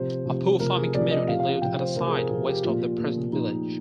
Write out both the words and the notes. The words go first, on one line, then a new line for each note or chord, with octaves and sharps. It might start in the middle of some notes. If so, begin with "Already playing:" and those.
A poor farming community lived at a site west of the present village.
Already playing: C3 F3 C5
C3 F3
C3 F3 A#4
G#4
C3 F3 D5
D#5
C3 F3 F5
F5
F5
C3 F3 G5
C5
C3 F3 A#4
G#4
A#4
C3 F3 G#4
G4
A#2 F3 F4
A#2 F3
A#2 F3 D#4